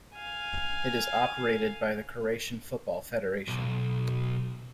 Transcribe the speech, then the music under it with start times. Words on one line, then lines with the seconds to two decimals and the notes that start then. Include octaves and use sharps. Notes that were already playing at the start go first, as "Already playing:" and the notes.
It is operated by the Croatian Football Federation.
0.15 F5 G#5
3.48 B1